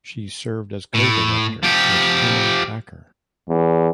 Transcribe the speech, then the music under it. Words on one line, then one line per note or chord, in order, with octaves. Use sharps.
She served as co-director, with Tina Packer.
A2
F3 G4
E2